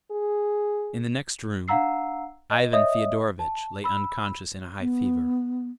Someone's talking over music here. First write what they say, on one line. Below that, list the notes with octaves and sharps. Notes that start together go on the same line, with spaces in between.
In the next room Ivan Fyodorovitch lay unconscious in a high fever.
G#4
D4 F5 F#5 A#5 E6 C7
D#5
C#5 D#5 E5 D#6
A5
B5 E6
B3